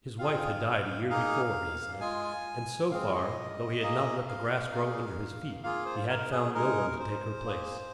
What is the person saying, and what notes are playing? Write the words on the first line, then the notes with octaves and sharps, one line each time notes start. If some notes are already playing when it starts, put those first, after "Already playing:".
His wife had died a year before, he said, and so far, though he had not let the grass grow under his feet, he had found no one to take her place.
C4 F4 G#4 F5
A#3 D#4 G#4 F5
G#3 F4 G#4 G#5
G#3 C4 G#4 F5
D#5
A#3 G#4
F5
A#3 G#4
A#3 F4 G#4 F5
C5
A#4
G#4
G#3 D#4 G#4 A#4
C5
A#3 G#4